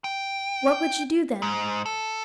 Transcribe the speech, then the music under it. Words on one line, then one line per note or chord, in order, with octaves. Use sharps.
What would you do then?
G5
G#2
A4